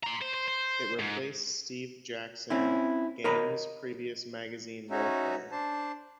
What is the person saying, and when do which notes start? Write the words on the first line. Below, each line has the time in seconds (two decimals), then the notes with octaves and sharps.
It replaced Steve Jackson Games' previous magazine "Roleplayer".
0.03 A#5 C6
0.21 C5
0.34 C5
0.48 C5
0.99 G#2
2.50 C4 C#4 E4
3.24 A#4 C#5 D#5 A#5 B5
4.91 C#4 D#4 F#4 E5
5.52 D4 C5 A5